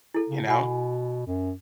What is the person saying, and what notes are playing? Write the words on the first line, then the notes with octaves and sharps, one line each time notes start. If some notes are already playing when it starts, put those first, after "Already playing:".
you know?
E4 A4
C#3
B2 F#5 G#5 B5
F#2